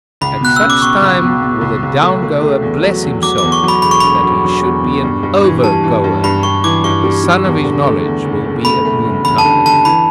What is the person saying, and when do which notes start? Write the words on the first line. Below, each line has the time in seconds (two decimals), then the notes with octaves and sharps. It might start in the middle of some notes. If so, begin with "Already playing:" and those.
At such time will the down-goer bless himself, that he should be an over-goer; and the sun of his knowledge will be at noontide.
0.21 C#2 B5
0.41 B2 F#6
0.56 E6
0.61 C#4
0.70 D6
0.82 B2 C#6
1.02 C#2
1.21 B2
1.42 B2
1.61 C#2
1.83 C#2
2.02 A3
2.23 A3
2.42 A3
2.62 E2
2.83 F#3
3.03 E2
3.22 F#3 D6
3.38 E2 D6
3.52 C#6
3.63 F#3
3.68 B5
3.82 E1 B5
3.91 C#6
4.00 E1 B5
4.23 F#3
4.44 F#3
4.63 E2
4.83 B2
5.03 G2
5.23 G2
5.44 E3
5.63 G3 A5
5.84 E3
6.04 G2
6.24 G2 B5
6.43 G2 C#6
6.64 E3 D6
6.84 G2 C#6
7.04 G3
7.24 G3
7.44 E2
7.64 D3
7.84 A3
8.05 E2
8.25 F#1
8.45 F#1
8.65 A3 B5
8.85 A3
9.05 F#1
9.24 E2 B5
9.38 A5
9.45 D3
9.65 D3 A5
9.85 E3 B5